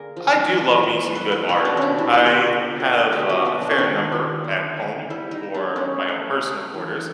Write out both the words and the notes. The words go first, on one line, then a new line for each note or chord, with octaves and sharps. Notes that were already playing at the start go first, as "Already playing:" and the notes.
I do love me some good art. I have a a fair number at home for my own personal quarters.
Already playing: D3 A#3 G#4 A#4
F3
E3
E3
B3 B4
B4
B2 F#4
D4
C3 C#4 D4
E4
A#3 F4
F#4 G4
D3
D3
B2 G4
F#4
B3 F4
D4
C#4
D#3 D4
D#3
D3
B3
G3 E4
D#4
B3
D4
A3 C#4
A3
A3
E3